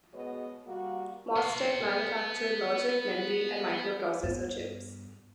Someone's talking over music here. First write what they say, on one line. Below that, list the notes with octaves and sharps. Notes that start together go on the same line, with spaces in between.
Mostek manufactured logic, memory, and microprocessor chips.
B2 G#3 B3 F#4 C#5 D#5
G3 A#3 F#4
B3 C6
G2 B3